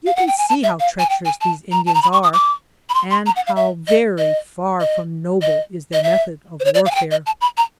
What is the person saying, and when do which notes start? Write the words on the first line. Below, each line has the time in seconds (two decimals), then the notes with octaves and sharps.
You can see how treacherous these Indians are, and how very far from noble is their method of warfare!
0.06 F5
0.16 F#5
0.27 G5
0.38 G#5
0.49 A5
0.63 E5
0.80 F5
0.99 G#5
1.10 G5
1.25 G#5
1.41 A5
1.72 A#5
1.86 A5
1.94 A#5
2.02 B5
2.13 C#6
2.23 D#6
2.34 D6
2.89 B5
2.94 C6
3.11 C6
3.26 A#5
3.36 F#5
3.47 F5
3.56 E5
3.87 D#5
4.18 D#5
4.80 D#5
5.42 D#5
5.93 D#5
6.03 E5
6.60 C5
6.65 C#5
6.74 D5
6.86 F5
6.91 G#5
6.95 G5
7.11 D#5
7.26 A5
7.41 B5
7.57 A#5